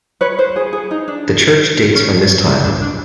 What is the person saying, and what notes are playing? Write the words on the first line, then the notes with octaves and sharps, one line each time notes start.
The church dates from this time.
B4 C#5
C5
G#4
G#4
D#4
D4
C#4
D4
D4